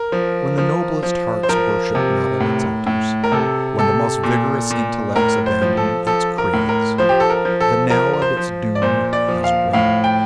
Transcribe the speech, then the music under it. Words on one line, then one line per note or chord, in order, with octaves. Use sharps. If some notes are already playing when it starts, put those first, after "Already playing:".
When the noblest hearts worship not at its altars, when the most vigorous intellects abandon its creeds, the knell of its doom has rung.
Already playing: A#4
F3
F3
F3
C5
F3 A#4
C3
A2
A2
A#4
C3 A4
C3 A4
A#2
A#2
A2 A#4
C5
F3
A4
F3 A4
A#4
A2
A#4
F3 C5
G4
A4
A#4
F3
A4
F3 A#4
A#4
C5
F3
D5
A#2 C5
D5
F3
F5
A2 F5
G5